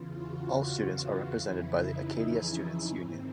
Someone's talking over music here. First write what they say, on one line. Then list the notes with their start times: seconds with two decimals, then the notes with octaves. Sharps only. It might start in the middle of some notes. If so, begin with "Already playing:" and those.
All students are represented by the Acadia Students' Union.
Already playing: E2 C#3 E3 F4
0.15 F#4
0.93 F4
1.32 F2 C#3 E3 E4
1.70 D#4
2.10 C#4
2.87 G#2 D#3 C4